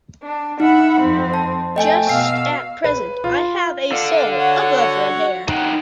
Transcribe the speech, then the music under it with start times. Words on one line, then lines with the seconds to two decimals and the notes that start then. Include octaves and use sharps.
Just at present I have a soul above red hair.
0.23 D4
0.60 D#4 E5 F#5 B5
1.00 F2 C4
1.34 A5
1.76 A3 D#5 G5 G#5
2.09 B2 F5 E6 C7
2.84 B4
3.24 F4
3.92 D3 F5
4.37 F#4 C#5 F#5
5.48 D#4 F#5 G5